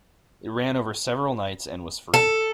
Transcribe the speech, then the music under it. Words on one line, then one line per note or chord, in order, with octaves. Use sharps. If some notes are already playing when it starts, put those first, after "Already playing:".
It ran over several nights and was free.
A4